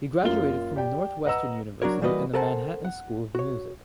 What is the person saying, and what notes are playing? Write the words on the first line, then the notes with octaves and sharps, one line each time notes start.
He graduated from Northwestern University and the Manhattan School of Music.
F#2 A#3 F4 G7
G4 D5 G5
B4 D#5 F#5 A#5 E6
F#3 D4 F#4 A#4 C#5
E3 G3 A#3 F#4 B4 D#5
A4 A#4 C5 F#5 G#5 A5
F#5
F#4 C#5